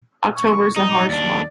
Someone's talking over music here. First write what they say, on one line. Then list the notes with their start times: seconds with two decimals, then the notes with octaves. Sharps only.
Octobers a harsh month.
0.37 C#6
0.76 D#4 D#6
0.90 D6
1.09 D#2 D4 D5